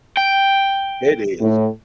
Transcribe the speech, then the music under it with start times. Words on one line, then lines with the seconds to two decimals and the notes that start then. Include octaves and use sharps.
It is.
0.17 G5
1.40 A2